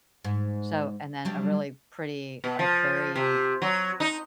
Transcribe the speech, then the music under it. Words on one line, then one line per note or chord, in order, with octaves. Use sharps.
So and then a really pretty, like, very
G#2
F#3 G3 D4
B2
F3
C3
F#3
D#4